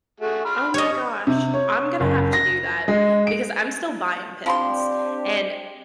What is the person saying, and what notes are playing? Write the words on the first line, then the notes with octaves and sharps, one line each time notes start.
Oh my gosh. I'm gonna have to do that because I'm still buying pins and
A3 F#4 G#4
B5 C6 F6
G3 C#5 D#5
C3
C#5
F#1
A#6
G#3
D7
F3 C4 D4 G4 B5 C6